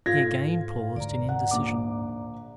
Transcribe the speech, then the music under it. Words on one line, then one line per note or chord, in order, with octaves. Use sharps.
He again paused in indecision.
G#2 F4 A4 F5 G#6 A#6
D2 D5 A#5
F#5
A#1 D6